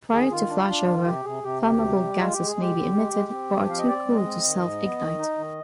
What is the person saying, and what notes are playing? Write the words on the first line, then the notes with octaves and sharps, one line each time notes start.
Prior to flashover, flammable gases may be emitted but are too cool to self-ignite.
D#3 G#4
D#3 F4
D4
D4
D#3
C3 G4
C3 G#4
C3 G4
D2 G4
C3
G3
G#3 F4
G#3 G4
G#4
G#3 G4
D3
G#3
G#3
C4
F3
C4 F5
D#5
C4 D5
G#3
D#5
C4
D#3
G#2
B3
D#3
D#4
D#3